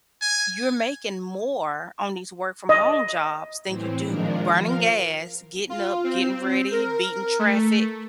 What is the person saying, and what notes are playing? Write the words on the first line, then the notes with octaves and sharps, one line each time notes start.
you're making more on these work from home jobs than you do burning gas, getting up, getting ready, beating traffic.
G#5
D#5
A2 E3 C4
A#2 D#3 F3 G#3 D4 A#4
F3 A#4 F5
F4
C4
A#4
A3